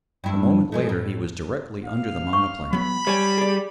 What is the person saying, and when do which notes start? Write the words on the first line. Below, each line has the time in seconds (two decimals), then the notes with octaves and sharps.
A moment later he was directly under the monoplane.
0.24 G2 E4
0.72 F3 G#3 A3
0.89 A2
1.85 F5
2.33 C#6
2.73 F#3 B3 B5
3.07 G3 C#5 G#5
3.38 G#4 D5